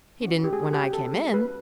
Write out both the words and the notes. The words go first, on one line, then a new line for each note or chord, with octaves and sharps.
"He didn't when I came in."
C#4 F#4
G4
G#3 G#4
G4
C#4 F#4
A4
G#3
B4
C#4 F#4